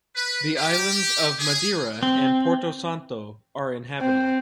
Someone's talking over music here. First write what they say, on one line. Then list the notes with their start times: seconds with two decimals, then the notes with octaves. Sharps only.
The islands of Madeira and Porto Santo are inhabited.
0.16 B4
0.56 G4
1.39 G#4
2.03 C4
4.01 C4